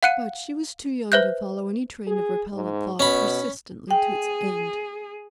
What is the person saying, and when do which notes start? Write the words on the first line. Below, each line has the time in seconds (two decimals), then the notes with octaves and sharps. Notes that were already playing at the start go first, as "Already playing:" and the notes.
But she was too young to follow any train of repellent thought persistently to its end.
0.03 F5 F#5 F#6 C#7 D#7
1.12 B4 C5 E5 F#6 G6
2.07 G#4
2.53 G#2
3.00 B2 C#4 B5
3.91 G#4 G5